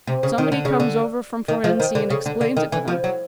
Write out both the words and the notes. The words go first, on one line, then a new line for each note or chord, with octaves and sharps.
Somebody comes over from Fohrensee and explains it to them.
C3
C#3
D#3
D3
C#3
D3
D#3
F3
D#3
D3
C#3
D3
D3
D#3
E3
F3
F#3